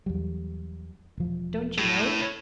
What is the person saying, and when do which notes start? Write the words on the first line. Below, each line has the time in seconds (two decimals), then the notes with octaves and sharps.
Don't you know?
0.06 E2 F#3 G3
1.17 E1 F3
1.78 A2